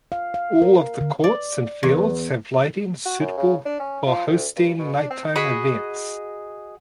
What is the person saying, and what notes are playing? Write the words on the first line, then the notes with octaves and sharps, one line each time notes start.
All of the courts and fields have lighting suitable for hosting night time events.
F5
F5
A#4
D3
D5
E2
F#4
F#2
C#3
D4
C#4
F3
D2
G2
B2
D4
C4
F#4 G#4 D#5 B5